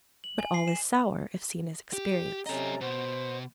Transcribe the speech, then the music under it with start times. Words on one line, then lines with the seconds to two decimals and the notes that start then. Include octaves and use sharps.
But all is sour, if seen as experience.
0.24 F#7
0.39 G#5
0.54 C7
0.68 E7
1.93 G4
2.46 C3 C#4 A4 D#5 A#5
2.81 B2 C5